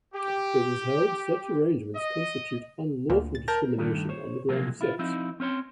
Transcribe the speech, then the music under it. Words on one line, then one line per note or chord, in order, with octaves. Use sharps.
It was held such arrangements constitute unlawful discrimination on the ground of sex.
G4
D#5
D2 A#2 D3
A6
A#4 A5 G6 A#6
G2 D3 D#3 A3
C5 C#5
C3 F3 F#3 A#3 G#4 A#4
E4 F4
F3 C4 D#4 E4
C4 C#4 C#5 C6